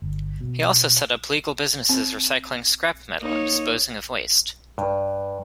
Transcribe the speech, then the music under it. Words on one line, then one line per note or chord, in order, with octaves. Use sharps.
He also set up legal businesses recycling scrap metal and disposing of waste.
G1
B2
C4
A#3 D#4 C#5
G2